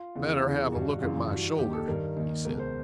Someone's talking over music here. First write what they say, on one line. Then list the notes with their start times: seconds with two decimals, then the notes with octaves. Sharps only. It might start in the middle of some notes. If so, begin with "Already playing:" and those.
'Better have a look at my shoulder,' he said.
Already playing: F4
0.15 E2 C#3 E3
0.44 E2 C#3 E3
0.72 G2 D#3 F#4
1.01 F#2 C#3 E3 F4
1.30 G2 E3 F#4
1.59 D#2 D#3 G4
1.73 A4
1.88 G2 D#3 A#4
2.16 D#2 D#3
2.45 C#2 B2 A#4
2.59 C5